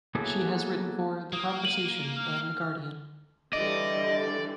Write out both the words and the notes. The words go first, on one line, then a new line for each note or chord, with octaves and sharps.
She has written for "The Conversation" and "The Guardian".
F#3 A#3 B3 E4 G#4 A4
A#3 D#6
D#7 F#7
F6
D3 E3 G3 D5 D#5